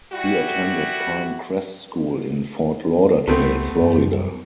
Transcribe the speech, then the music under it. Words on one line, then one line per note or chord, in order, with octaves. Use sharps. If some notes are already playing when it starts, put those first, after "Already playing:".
He attended Pine Crest School in Fort Lauderdale, Florida.
G3 E4 F#4
C#2 A3 B3 C4
F#2